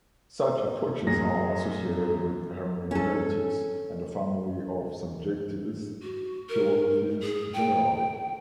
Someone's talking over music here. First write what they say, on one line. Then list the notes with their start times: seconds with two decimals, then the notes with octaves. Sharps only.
Such approaches are associated with Hermeneutics and the family of subjectivist philosophies generally.
1.07 F#2 G#4 A#6
2.91 C#4 A4
6.02 F#4
6.49 A#4
7.22 G#4
7.53 G5